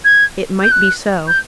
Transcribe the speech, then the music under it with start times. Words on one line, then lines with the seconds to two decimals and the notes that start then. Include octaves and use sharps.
It might be so.
0.05 G#6
0.63 G6
0.72 F#6
1.28 G6